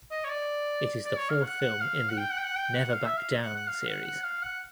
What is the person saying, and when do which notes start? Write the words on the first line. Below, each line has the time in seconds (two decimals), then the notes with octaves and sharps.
It is the fourth film in the "Never Back Down" series.
0.11 D#5
0.24 C#5
0.30 D5
1.05 D5
1.17 C#5
1.29 F5
1.43 F#5
1.61 F#5
1.80 F5
2.09 F#5
2.18 G5
2.31 F#5
2.38 G5
2.43 F#5
2.56 G5
2.74 F#5
2.93 F5
3.05 E5
3.17 F5
3.42 F#5
3.56 F#5
3.67 F5
3.86 F#5
4.05 F#5
4.23 F5
4.42 F#5